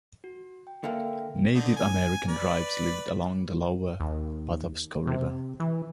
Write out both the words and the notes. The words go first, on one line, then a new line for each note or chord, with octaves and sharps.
Native American tribes lived along the lower Patapsco river.
F#4
G5
D3 A#3 E5 F5 G5
D3 D#4
G#5
B4 D5
D#2
C3
E3